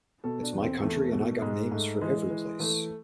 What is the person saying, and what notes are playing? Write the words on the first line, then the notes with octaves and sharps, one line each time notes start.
It's my country and I got names for every place.
B2 A4
D4
E2
C4
E2 A3
B2
G#2 G#3
G#2 A3
E3 G#3
E3
E3 A3